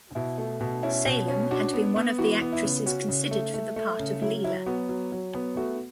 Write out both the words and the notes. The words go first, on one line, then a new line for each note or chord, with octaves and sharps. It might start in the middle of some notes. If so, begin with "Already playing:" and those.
Salem had been one of the actresses considered for the part of Leela.
B2 E4
A3
B2
C#4 E4
B2
C#4
D4 F#4
B3
B3
E3 F#4
B3
E4
C#3
C#4 F#4
C#3
A3
A3
A3
C#3
F#3 E4
F#3 E4
B3 F#4
F#3
F#3
B3
A3 F#4